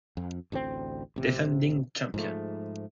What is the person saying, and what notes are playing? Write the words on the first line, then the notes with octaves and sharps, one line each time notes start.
Defending champion.
F2
A1 D2 E3 C4
A1 C3
G#2 F3 A3